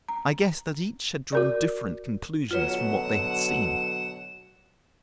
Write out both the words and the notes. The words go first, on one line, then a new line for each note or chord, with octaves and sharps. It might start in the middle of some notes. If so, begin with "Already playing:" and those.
I guessed that each had drawn different conclusions from what they had seen.
A#5
F#4 A#4 D5
B2 D3 F#3 F4 B4 C#5 F#5 E7